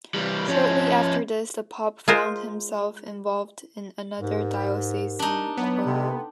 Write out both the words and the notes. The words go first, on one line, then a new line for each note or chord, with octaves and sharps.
Shortly after this, the pope found himself involved in another diocesan quarrel.
E3 G3
F3 C#4
G#3 F4 A#4 C5
G#2 G4 A#4
D4 D#4
F#3 B3 B4 C#5
C3 A4 G5 C6